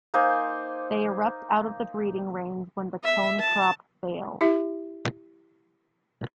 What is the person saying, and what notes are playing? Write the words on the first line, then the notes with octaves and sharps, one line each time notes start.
They erupt out of the breeding range when the cone crop fails.
A#3 D#4 C5 G#5
E5
A5
E4 G4 E5